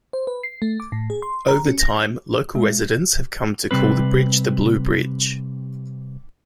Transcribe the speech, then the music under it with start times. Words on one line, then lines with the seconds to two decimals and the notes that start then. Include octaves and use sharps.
Over time, local residents have come to call the bridge the Blue Bridge.
0.13 C5
0.27 B4
0.43 C7
0.62 A3
0.80 D6
0.92 A2
1.10 G#4
1.22 C6
1.48 A#5
1.66 C#4
1.79 A#6
2.55 G#3
3.71 C3 G3 C4 B4